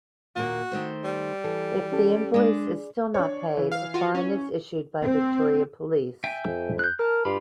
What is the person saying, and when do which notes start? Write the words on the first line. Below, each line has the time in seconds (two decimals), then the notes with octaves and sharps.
If the invoice is still not paid, a fine is issued by Victoria Police.
0.36 D#2 A#2 A#3 F#4
0.72 D#3 A3 C5
1.04 G3
1.44 E3 A4
1.92 C#4 G4 A4
2.34 G#3 D4 G#4 D5
3.14 D4 C#5
3.57 E3
3.71 F5 F6
3.94 F4 F#4
4.15 C#4
5.03 C4
6.24 E5 G5 G#5
6.47 F2
6.79 F#6 G6
6.99 A#4 A5 F6
7.25 G2 F4 G4 B5